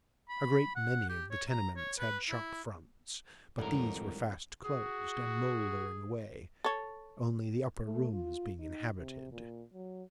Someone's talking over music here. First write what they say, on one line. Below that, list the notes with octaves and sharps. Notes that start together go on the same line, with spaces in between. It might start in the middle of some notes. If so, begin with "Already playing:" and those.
A great many of the tenements had shop-fronts; but these were fast closed, and mouldering away; only the upper rooms being inhabited.
B5
F#5
G4
C#5
A#5
C#5
B4
E4
G#1 F2 A2 D3 G3 A#4
F#4 G#4
A4 C#5
A3
F4
D#4
C3
A#2
F#3